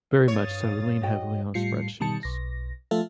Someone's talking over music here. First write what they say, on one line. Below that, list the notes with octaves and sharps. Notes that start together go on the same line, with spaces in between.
very much so, we lean heavily on spreadsheets.
G2 C#5 F5 D#6 A6
F#4 D#5 G5
A2 G3 F4 C7 C#7
B2 D#3 G3 A5 C#7
B1 A#6
F3 A3 F4 A4 E5